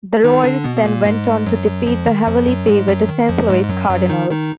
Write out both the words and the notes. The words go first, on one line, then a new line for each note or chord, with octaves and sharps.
The Royals then went on to defeat the heavily favored Saint Louis Cardinals.
D#3 D#4
D3 D4
B2 B3
B3
A#2 A#3
G#2 G#3
F#2 F#3
F2 F3
D#3
F2 F3
F#2 F#3
G#2 G#3
F#2 F#3
D#3
F2 F3
G#2 G#3
G#3
F#2 F#3
F#2 F#3
D#3 D#4
D#3 D#4